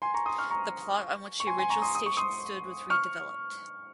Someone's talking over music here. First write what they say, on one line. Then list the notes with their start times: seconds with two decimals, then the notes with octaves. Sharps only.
The plot on which the original station stood was redeveloped.
0.02 G#5 C6
0.14 A#5 C#6
0.26 C6 D#6
0.38 C#6 F6
0.50 A#5 C#6
1.40 C#6
1.47 G#5 C6
1.58 G#5 C6
1.70 A#5 C#6
1.82 C6 D#6
1.95 D#6
2.06 C#6
2.17 C6 D#6
2.90 C#6 F6